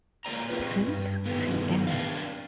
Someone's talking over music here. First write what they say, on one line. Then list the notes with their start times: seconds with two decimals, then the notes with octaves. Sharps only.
Since ca.
0.25 A#3 A#4 C#5 D5 A#5
0.49 C4 F4 B4
0.86 G2
1.26 G2 D#3 E3 A3 B3
1.87 C4 D4 D5 F5